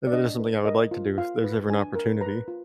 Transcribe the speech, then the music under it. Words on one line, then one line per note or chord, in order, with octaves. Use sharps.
and that is something I would like to do if there's ever an opportunity.
D5
D4 D#5
B4
A#4 D#5
F4
F4 F5
B4
D4 G#5
A#4
B4 A#5
F4